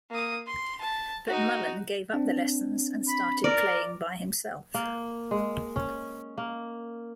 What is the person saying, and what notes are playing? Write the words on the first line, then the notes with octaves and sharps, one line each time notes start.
But Mullen gave up the lessons and started playing by himself.
A#3 D#6
C6
A5
D#4 F#4
C4 D4
B5
A#4 D5
A#3
G#3
C#4
A#3